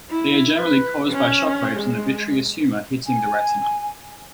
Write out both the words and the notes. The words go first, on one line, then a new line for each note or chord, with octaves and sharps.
They are generally caused by shock waves in the vitreous humor hitting the retina.
E4
B4
C#4
G#3
G#5